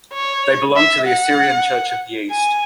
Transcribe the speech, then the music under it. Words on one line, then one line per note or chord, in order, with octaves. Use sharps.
They belong to the Assyrian Church of the East.
C#5
E5
F#5
G#5